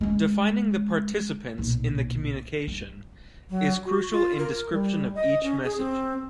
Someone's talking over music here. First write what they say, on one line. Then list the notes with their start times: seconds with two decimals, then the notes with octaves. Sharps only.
Defining the participants in the communication is crucial in description of each message.
0.01 G#3 C#4
1.58 B1 A#2
2.67 G3
3.50 F#3
3.85 F#4
4.11 F4
4.39 A#4
4.72 G3
5.15 D#5
5.43 C#4
5.64 G#4
5.78 C4